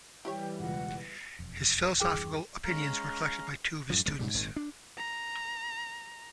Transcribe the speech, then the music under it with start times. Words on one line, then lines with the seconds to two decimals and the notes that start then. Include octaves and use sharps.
His philosophical opinions were collected by two of his students.
0.25 E3 G3 E4 G4 C#5 G5
0.59 E1 C#2 F#5
1.39 E1 F2
2.00 E2 G2 E3 G#4 G5
2.65 G#3 C#4 F5 A#5
3.90 F#2 A2 F3
4.06 B1 E2 G#3
4.19 G#2 C#3 G3
4.35 G#1 A#2 D#3
4.56 D4
4.97 A#5